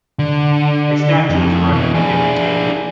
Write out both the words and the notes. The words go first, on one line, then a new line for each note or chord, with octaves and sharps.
A statue was erected to him at Kandy.
D3
F2
B2 E3
D4 G#4